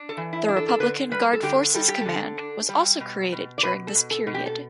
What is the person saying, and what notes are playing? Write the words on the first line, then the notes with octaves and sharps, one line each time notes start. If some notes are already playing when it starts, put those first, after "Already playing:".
The Republican Guard Forces Command was also created during this period.
Already playing: D4
A4
E3
E4
D4
A4
A4
D3 B4
G3 B4
A4
D3 G4
G3 A4
G4
D3 A4
D4
G3
B2
B2
D5
B2 B4
A4
B2
A4
B2
G4
A4